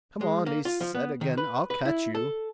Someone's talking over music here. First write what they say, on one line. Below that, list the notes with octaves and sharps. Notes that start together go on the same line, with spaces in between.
"Come on!" he said again; "I'll catch you."
G#3
A#3
F4
F3
B3
D#3
B4
B4
E4
A4